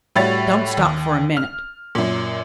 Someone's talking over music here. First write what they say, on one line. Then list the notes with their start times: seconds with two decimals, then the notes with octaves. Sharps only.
Don't stop for a minute.
0.16 A2 G3 F#4 C#5 A6
0.77 D#2
1.37 F6
1.95 F#2 A#2